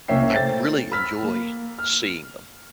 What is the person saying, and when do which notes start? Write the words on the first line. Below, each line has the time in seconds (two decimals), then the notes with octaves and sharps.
I really enjoy seeing them.
0.08 C2 A#3 C#4 E5 G5 C7
0.33 A3 C5 G5 A6
0.92 B5 E6 F6 B6
1.23 A#3
1.79 F6